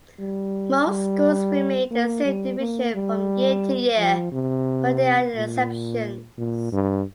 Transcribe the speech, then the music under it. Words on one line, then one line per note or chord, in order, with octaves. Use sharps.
Most schools remain in the same division from year-to-year, but there are exceptions.
G3
G3
A#3
G3
A#3
G3
F3
C3
A#2
A#2
G2